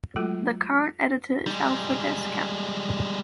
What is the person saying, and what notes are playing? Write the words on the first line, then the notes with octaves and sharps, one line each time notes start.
The current editor is Alfred S. Campbell.
F#3 G#3 A3 F4 F#4 A4
G3 G#3